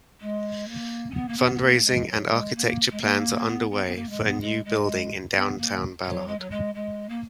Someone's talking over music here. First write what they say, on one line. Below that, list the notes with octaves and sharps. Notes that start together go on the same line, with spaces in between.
Fundraising and architecture plans are underway for a new building in downtown Ballard.
G#3
A#3
C#4
B3
A#3
B3
B3
A#3
G#3
F#3
G#3
A#3
G#3
A#3
B3
B3
B3
A#3
G#3
B3
G#3
G#3
B3
A#3
F#3
G#3
F#3
G#3
G#3
A#3